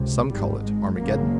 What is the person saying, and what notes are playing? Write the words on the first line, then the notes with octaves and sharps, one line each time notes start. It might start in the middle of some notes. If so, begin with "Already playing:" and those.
"Some call it Armageddon."
Already playing: C#2 C3
G#1 G#2 G3
G#3
G#1 F#2 C#3 A#3